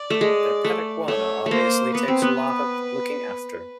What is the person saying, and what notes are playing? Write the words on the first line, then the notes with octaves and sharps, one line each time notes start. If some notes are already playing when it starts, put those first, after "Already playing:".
Their pet iguana obviously takes a lot of looking after.
Already playing: D5
A3
G#3
A3
A3 C#5
A3
A#3 C5
B3 B4
C4
B3